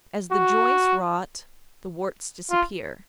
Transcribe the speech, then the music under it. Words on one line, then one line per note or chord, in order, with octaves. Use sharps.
As the joints rot, the warts disappear.
F#4
F4